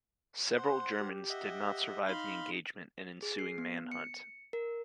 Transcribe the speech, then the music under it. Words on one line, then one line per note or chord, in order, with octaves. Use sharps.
Several Germans did survive the engagement and ensuing manhunt.
C5 F#5 C6
G4
D#5 E5 F#5
D#4 F5 B5 C6
G#4
C7
B3
C#7
A#4